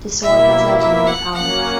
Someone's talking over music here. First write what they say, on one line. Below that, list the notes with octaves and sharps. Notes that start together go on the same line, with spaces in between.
The sword has legendary power.
B2 A#3 E4 E5
E5
F#5
F#3 A#3 C#4 F#5